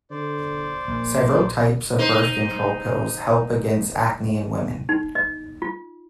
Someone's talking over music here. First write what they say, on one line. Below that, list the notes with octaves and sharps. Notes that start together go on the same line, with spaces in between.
Several types of birth control pills help against acne in women.
D3 C5 D5
A#1 A#3
D#4 C5
D#4
D#5
F4